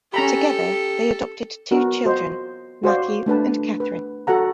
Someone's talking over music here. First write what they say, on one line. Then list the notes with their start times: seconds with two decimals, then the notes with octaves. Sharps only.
Together they adopted two children, Matthew and Katharine.
0.14 C#4 G4 A4 A#5 B5
1.71 B3 F#4 A#4
2.05 F#4 C5 D#5
2.84 F#4 C5 D5 F5
3.26 A3 D4 B4 A5
3.80 B4
4.27 F#4 A4 F#5 A#5